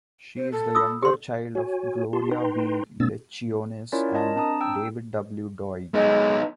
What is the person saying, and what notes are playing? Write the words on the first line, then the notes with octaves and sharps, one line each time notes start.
She is the younger child of Gloria B. Lecciones and David W. Doig.
C5
A4
F4 D#6 E6
G4 C5 C6
F#4 C#5 G#5
F4 G4 A5 C6
D#4 B4 G5 A#5 C6
B2 A#3 C4 D4 E6 A6
C#4 E4 F4 A#4 C#5 D5
A#4 D#5 A5
C4 D4 A5 A#5 D#6
G5 E6
G#3 B3 D#4